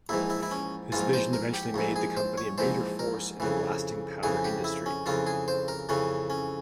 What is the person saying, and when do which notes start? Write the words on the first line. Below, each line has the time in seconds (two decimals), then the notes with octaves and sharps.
His vision eventually made the company a major force in the blasting powder industry.
0.09 A#1 G#2 E3 E4
0.30 E4
0.43 E4
0.51 C#4
0.92 A#1 G#2 E3 F4
1.13 C5
1.33 A#4
1.54 G4
1.74 A#1 G#2 E3
1.96 G#4
2.17 C5
2.38 C#5
2.58 A#1 G#2 E3 C5
2.99 A#4
3.40 F2 C#3 E3
4.23 F2 C#3 E3 G#4
4.44 G4
4.64 E4
4.86 C#4
5.06 F2 C#3 E3 F4
5.27 G#4
5.48 C5
5.68 A#4
5.89 F2 C#3 E3 C#4
6.30 C#4